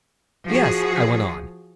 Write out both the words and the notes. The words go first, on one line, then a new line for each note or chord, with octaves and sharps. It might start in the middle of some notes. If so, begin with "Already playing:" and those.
"Yes," I went on.
F3 F#4 G#4